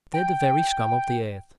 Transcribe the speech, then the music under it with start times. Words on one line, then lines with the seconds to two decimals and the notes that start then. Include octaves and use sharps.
They're the very scum of the earth.
0.14 G5